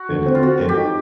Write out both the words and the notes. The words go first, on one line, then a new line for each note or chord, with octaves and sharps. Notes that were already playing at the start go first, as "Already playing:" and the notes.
And and
Already playing: F#4
D3
C4
F4
C4 F#4
A3
G4
D#4